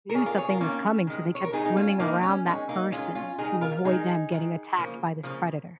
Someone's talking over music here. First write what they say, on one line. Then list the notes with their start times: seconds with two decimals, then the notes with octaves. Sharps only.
knew something was coming, so they kept swimming around that person to avoid them getting attacked by this predator.
0.10 A#4
0.14 D#3 A#3 G#4 C#5
0.26 F4 A#4
0.37 G#4 C#5
0.49 F4 A#4
0.61 D#3 A#3 C#4 F4
1.07 D#3 G#3
1.35 C#5
1.44 A#4
1.53 D#3 G#3 D#4 G#4
1.65 D#4
1.76 C#4 F4
2.00 D#3 G#3 A#3 D#4
2.23 C#4
2.46 D#3 G#3 C#4
2.69 A#3 D#4
2.92 D#3 G#3 C#4 F4
3.15 C#4 F4
3.38 D#3 G#3 D#4 G#4
3.61 F4 A#4
3.85 D#3 G#3 D#4 G#4
4.31 D#3 G#3
4.78 C#3 F3 A#3
5.23 C#3 F3 A#3